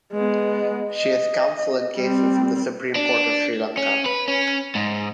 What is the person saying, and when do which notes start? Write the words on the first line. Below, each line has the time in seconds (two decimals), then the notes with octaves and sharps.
She is counsel in cases in the Supreme Court of Sri Lanka.
0.13 G#3 B3
0.92 D#5
1.96 G3 C4
2.96 D4
3.77 C#4
4.06 B4
4.28 C#4
4.75 G#2